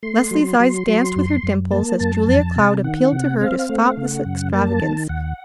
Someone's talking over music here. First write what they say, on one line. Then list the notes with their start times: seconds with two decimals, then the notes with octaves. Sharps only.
Leslie's eyes danced with her dimples as Julia Cloud appealed to her to stop this extravagance.
0.03 A3 C6
0.31 F#3
0.60 F#3
0.88 F#3
1.16 F#2
1.43 F#2
1.71 A#3 A5
2.00 F#2 A5
2.28 F2
2.56 C3
2.84 D#3 F#5
3.13 C3
3.41 C4 F5
3.59 F5
3.69 A3
3.78 F#5
3.92 F5
3.97 C#3
4.06 F#5
4.25 F#2
4.53 A#3 A5
4.81 D#3
5.09 D#2 F#5